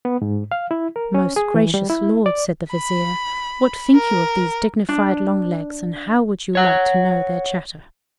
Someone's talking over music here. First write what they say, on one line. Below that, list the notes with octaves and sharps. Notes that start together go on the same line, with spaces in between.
"Most gracious lord," said the Vizier, "what think you of these dignified long legs, and how would you like to know their chatter?"
B3
G#2
F5
E4
A#4
C#4
G#4
E3
G3
E4
D5
B5
A#4
D4
C#5 F#5